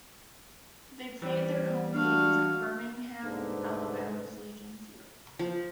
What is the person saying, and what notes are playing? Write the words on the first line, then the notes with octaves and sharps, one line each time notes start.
They played their home games at Birmingham, Alabama's Legion Field.
E3 G3 C5
D4 F#4 F5
C2 G#2 D3 B4
F3